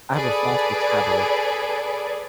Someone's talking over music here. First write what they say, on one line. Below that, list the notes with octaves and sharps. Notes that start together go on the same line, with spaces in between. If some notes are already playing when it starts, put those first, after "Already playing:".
I have a fast metabolism
G#4 A4 B4 D5